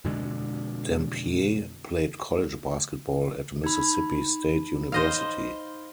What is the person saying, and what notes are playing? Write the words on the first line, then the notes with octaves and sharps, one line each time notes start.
Dampier played college basketball at Mississippi State University.
F2 B2 D3 G#3
D#4 B5
C5 D#5 F5